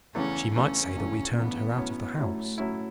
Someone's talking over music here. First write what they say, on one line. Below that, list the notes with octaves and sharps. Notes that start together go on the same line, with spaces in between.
She might say that we turned her out of the house.
E2 C#3 E3 A3 C#4
E2 C#3 E3 A3 C#4
E2 C#3 E3 A3
E2 C#3 E3 A3 B3
A2 F#3 C#4 E4
A2 F#3 A3 C#4 E4
A2 F#3 C#4 E4